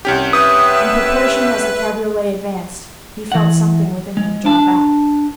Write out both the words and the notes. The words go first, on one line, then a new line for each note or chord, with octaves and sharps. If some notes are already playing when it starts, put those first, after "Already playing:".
In proportion as the cabriolet advanced, he felt something within him draw back.
C2 C#4 G4
B4 E5 D#6
E3 F#5
G#3
D4 A5